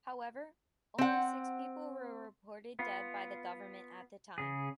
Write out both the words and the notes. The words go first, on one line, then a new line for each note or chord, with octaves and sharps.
However, only six people were reported dead by the government at the time.
C4 F#5
B3 F4
C#3 G#4